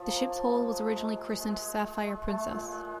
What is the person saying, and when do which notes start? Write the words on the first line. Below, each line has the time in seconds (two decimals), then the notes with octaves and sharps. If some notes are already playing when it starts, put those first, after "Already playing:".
The ship's hull was originally christened "Sapphire Princess".
Already playing: F3
0.09 A#3
0.30 F3
0.53 G#3
0.73 G#3
0.95 G#3
1.18 G#4
1.39 G#3
1.61 G#4
1.84 G#3
2.06 G#3
2.28 G#3
2.50 A#2
2.72 G#3